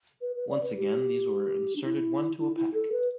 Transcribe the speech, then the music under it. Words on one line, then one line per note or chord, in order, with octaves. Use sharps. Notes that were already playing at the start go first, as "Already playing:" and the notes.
Once again these were inserted one-to-a-pack.
B4
B4
D5
B4
G4
D4
E4
E4
E4
A4
B4